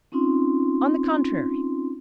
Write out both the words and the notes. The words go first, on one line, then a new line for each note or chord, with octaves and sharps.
On the contrary.
C4 C#4 D#4 F4 C6